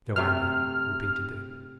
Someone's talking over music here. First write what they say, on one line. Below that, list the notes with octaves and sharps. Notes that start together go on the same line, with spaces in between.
"Joanna!" repeated Dick.
C3 A3 C5 F6